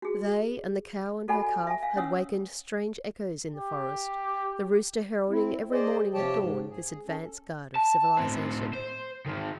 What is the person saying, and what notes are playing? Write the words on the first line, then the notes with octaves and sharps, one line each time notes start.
They and the cow and her calf had wakened strange echoes in the forest, the rooster heralding every morning at dawn this advance guard of civilisation.
F#4 G#4
F#4 A4 D5 F#5 G#5 B5
E5 G#5
F5
C#4 C#5 F#5 D#6 E6
G4
C4 E4
G#4 C5 D5 D#5
C3 F3 G4 C#5 G5 A5
G#2
G#4
C#4 A4
A5
A2 C4
C5
D#3 G#3